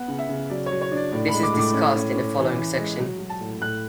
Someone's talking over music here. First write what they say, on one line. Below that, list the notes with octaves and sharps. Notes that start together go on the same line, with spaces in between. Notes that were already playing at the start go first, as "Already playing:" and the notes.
This is discussed in the following section.
Already playing: B3 F#5
C#3
E5
C#3
F#3 D5
C#5
F#3
C#5
D4
D5
A2 D5
G#3 B5
D6
A2
D6
C#4
C#4
C#4
E3
E3
G#3
F#3
F#3
A5
A2
A2 F#6